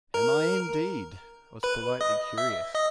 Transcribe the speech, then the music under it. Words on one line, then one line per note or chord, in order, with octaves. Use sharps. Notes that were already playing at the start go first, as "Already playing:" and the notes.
"Am I, indeed?" I was politely curious.
A#4 A#5
B4 B5
D#5 D#6
E5 E6
D#5 D#6